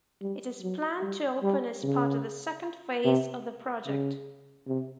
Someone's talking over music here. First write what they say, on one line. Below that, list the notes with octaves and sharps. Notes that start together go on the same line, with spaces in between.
It is planned to open as part of the second phase of the project.
G3
F#3
G3
G3
C#3
C3
C#3
C3